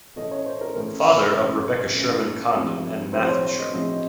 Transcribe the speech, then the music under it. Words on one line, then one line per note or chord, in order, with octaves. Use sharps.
Father of Rebekah Sherman Condon and Matthew Sherman.
A1 A2 A3 C#4 D#5
C#5
C5
A#4
A1 A2 A3 C#4 A#4
A1 A2 A3 C#4
A1 A2 A3 C#4
A#1 A2 F#3 C4
A#1 A2 F#3 C4 C5
C5
C#5
C#5
D#5
A#1 A2 F#3 C4 D#5
D#5